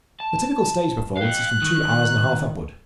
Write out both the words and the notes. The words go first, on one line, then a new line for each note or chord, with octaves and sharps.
The typical stage performance is from two hours and a half upward.
A5
F5 G5 F#6
D#3